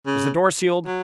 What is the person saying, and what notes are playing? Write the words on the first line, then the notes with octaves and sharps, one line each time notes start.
Is the door sealed?
C#3
F#3